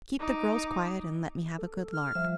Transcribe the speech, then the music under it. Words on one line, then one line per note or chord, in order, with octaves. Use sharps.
Keep the girls quiet, and let me have a good lark.
D#4 D6
A4
F6
F3 G3 E5